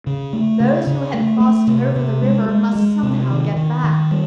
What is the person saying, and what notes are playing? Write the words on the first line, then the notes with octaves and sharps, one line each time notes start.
Those who had crossed over the river must somehow get back.
C#3
A3
C#3
C#3
A3
A3
C3
C3
G#3
G#3
G#3
C3
D#3
D#3
D#3
G3